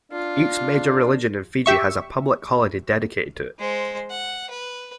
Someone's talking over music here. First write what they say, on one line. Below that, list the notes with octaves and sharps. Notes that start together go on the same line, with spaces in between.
Each major religion in Fiji has a public holiday dedicated to it.
D4 F4
G4 E5 C#6
G#3 C5
F#5
B4